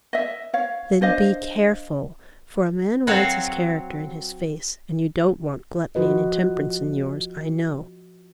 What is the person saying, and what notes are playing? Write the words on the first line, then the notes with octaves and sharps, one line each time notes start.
'Then be careful; for a man writes his character in his face; and you don't want gluttony and intemperance in yours, I know.'
D#5 E5
C#5 F5
D4 C5 D#5 F5
F#3 C4 F#4 C5 C#5 F5
F3 F4 F#4 B4 D#5